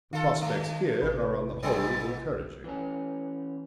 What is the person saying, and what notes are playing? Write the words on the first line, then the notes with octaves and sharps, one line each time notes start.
The prospects here are on the whole encouraging.
D#3 F4 A4
G#3 A3
A1 C3 B4
G#2 F#3 B3
E3 C#4